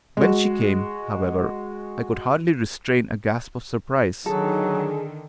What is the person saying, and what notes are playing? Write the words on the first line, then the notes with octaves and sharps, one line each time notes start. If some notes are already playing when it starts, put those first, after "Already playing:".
When she came, however, I could hardly restrain a gasp of surprise.
G#3 F#4
D3 D#3 F#3 G#4 A4